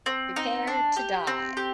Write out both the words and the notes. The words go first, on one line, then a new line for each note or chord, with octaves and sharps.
Prepare to die.
C4
D#4
D4
G4
C4
G4